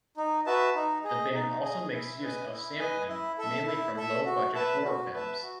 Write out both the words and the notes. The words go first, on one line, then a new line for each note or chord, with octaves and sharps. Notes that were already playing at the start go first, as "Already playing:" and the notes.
The band also makes use of sampling, mainly from low-budget horror films.
D#4
F#4 B4 E5 A5
D#4
G#4 D#5
D#4
G#4 D#5
E4
B4 D#5 G#5
E4
B4 D#5 G#5
E4
A4 E5
E4
A4 E5
F#4
B4 E5 A5
F#4
B4 E5 A5
F#4